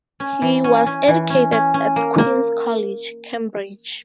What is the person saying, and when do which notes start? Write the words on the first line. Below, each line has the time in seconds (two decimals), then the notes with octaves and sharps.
He was educated at Queens' College, Cambridge.
0.20 C#4
0.42 E3
0.64 C#4
0.86 C#4
1.08 E3
1.30 C#4
1.52 C#4
1.74 C#4
1.96 A#3
2.18 A#3